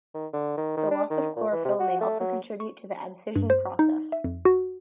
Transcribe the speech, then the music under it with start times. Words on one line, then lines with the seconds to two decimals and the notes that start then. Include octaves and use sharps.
The loss of chlorophyll may also contribute to the abscission process.
0.14 D#3
0.33 D3
0.57 D#3
0.77 D#3
0.91 D4
1.10 D#3
1.36 A#2
1.52 E3
1.65 C3
1.79 F#4
2.01 A3
2.20 F#3
2.60 C#6
3.36 G2
3.50 C5
3.79 D#4
4.12 E5
4.24 F2
4.45 F#4